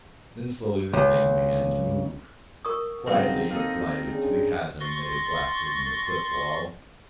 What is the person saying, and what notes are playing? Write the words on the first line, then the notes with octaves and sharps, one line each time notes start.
Then slowly the Thing began to move; quietly it glided to the chasm it had blasted in the cliff wall.
C#2
A#4 C#6 D#6
G2 C#3 F#3 C4 D#4
A#3 A4 D#5
C#4 D4 G#4
C6 C#6 A6 A#6